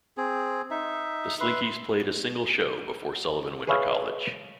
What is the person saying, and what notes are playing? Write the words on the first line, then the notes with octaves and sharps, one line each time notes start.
The Slinkees played a single show before Sullivan went to college.
C4 G#4
D#4 E5
B4 E5 C6
G#4 B4 C#5 E5 F5